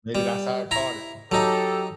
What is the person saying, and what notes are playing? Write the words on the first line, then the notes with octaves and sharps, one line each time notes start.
Maybe that's how I caught it.
G3
E4 A#5
F#3 D#4 G4 A4